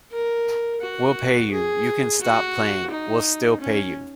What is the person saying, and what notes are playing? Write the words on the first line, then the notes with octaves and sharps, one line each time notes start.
We'll pay you, you can stop playing, we'll still pay you!
A#4
F#4
G#4
F#4
D#4
C#4